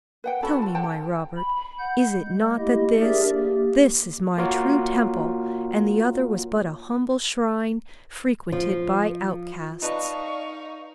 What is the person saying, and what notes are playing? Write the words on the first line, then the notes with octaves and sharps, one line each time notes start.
Tell me, my Robert, is it not that this, THIS is my true temple, and the other was but a humble shrine frequented by outcasts?'
B4 F#5 G5
C#4 F#4 A4 B5
F4 A5
C5 F#5 G5 A5
B5
F#5 G6
G#3
A3 A#3 E4 G4 D#5
D4 G4 G#4 A#4 D5 E5
A#3 G4
A#3 F4 F#4 A#4 C#5
F3 F4
D#4 B4 D5 D#5 F5 A5 C#6